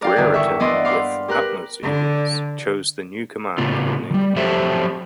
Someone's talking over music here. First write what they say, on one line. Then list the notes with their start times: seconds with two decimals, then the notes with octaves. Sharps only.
Brereton "with utmost eagerness" chose the new command in England.
0.01 A#4 D5 F5 G5
0.16 E2 G2 D3 D#3 E4
0.34 E5 C#6
0.60 E3 B3 E4 D5 D#5 C6
0.85 F5 B5 C6 D6
1.28 G4 A#4 B4 F#6
1.83 D3
3.58 A2 C#3 B3 F4
4.11 D#3 G3
4.36 F3 F#3 G4 A4 C5 E5